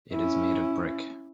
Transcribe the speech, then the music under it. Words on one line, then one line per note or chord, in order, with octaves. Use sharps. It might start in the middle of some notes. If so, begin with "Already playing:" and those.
It is made of brick.
C#4 E4